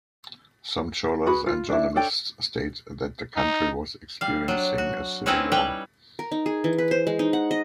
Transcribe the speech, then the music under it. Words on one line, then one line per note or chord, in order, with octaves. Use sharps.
Some scholars and journalists state that the country was experiencing a civil war.
F#4 G#4 B4 B5
F4
D4 E4
D4 A4 C#5 G5
D#4
G3 F5
F#3 D4
F#4
C4 C#4 D#4 E4 B4 C#5
G3 B4 G5
A#4
D#4
G#4
E3
B4
C5
G#3
D#4
F#5
D#5